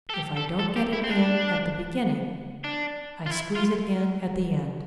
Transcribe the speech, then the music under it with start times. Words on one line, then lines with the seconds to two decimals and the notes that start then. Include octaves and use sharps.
If I don't get it in at the beginning, I squeeze it in at the end.
0.10 A4
0.14 G4
0.37 A4
0.59 A4
0.76 G4
0.93 E4
1.04 C4
1.10 D4
2.64 D4
3.26 F4
3.32 E4
3.55 F4